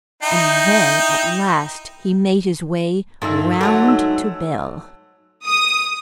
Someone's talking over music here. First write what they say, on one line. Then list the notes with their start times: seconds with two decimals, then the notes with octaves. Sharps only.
And then at last he made his way round to Bell.
0.23 D#4 E4 G5
3.22 G2 A#2 A3 A#3 D#4 E6
3.61 G#2 F#3 A3 A4 A5
3.84 D#4 E6
5.45 D#6